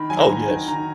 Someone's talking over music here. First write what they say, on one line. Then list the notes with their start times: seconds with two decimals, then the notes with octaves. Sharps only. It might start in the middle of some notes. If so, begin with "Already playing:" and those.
Oh, yes.
Already playing: D#3 B5
0.10 F#3 G#5
0.17 A#5
0.29 D#3
0.43 G#5
0.49 D#3
0.68 D#3 A#5